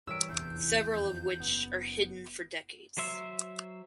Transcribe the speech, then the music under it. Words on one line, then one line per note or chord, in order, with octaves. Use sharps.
Several of which are hidden for decades.
G2 E3 G3 A#4 C#5 E6 B6 D7
F1 A#1 E2 E3 G6
F2
F#1 B3
F#3 C5 E5